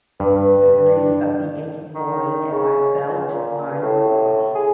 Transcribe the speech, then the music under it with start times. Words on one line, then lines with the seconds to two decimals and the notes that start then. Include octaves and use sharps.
Memories of the aching void at my belt-line were lost.
0.20 G2 B4
0.87 D4
1.95 D#3
2.51 C#3
3.07 C#2
3.32 A#2
3.68 G2
3.82 A2
4.55 G#4